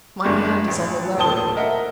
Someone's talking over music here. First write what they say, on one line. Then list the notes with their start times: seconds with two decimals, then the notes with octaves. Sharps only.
My hand is on the lever.
0.24 F#1 G#3 D4
0.68 A1
1.17 D#1 A2 C5 A5 D#6 G7
1.56 A#4 D#5 E5 F#5